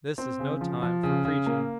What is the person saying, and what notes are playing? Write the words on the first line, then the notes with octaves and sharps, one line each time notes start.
This is no time for preaching!
C4
C#3
F3
F3
C#3
C#3
A#3